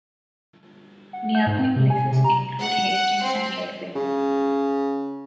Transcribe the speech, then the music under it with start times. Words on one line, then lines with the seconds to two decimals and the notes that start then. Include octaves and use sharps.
Nearby places include Hastings and Red Wing.
1.13 F#5
1.35 G6
1.47 G#2
1.59 C4
1.76 C3
1.90 G#5
2.12 C3
2.24 A#5
2.60 F#5
3.22 C4
3.95 C#3